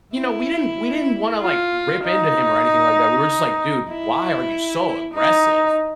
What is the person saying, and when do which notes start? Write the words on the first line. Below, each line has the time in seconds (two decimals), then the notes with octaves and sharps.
you know, we didn't we didn't wanna, like, rip into him or anything like that, we were just like, "Dude, why are you so aggressive?
0.17 E4
1.41 F4
2.04 D#4
3.91 E4
5.14 D#4